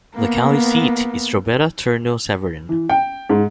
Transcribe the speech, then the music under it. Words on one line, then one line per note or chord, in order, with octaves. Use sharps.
The county seat is Drobeta-Turnu Severin.
A#3 B3
E3
G5
G#2